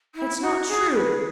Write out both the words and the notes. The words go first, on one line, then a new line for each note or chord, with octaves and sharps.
"It's not true!"
E4
F#4
G#4
B4